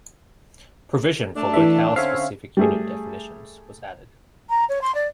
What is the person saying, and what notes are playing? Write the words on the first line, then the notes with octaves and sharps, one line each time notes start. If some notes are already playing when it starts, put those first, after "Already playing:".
Provision for locale-specific unit definitions was added.
A3 D4
E3 E5
D3 C4 C#4 C#5 E5 F5
G3 A3 G#4
A#5
C#5
C6
D5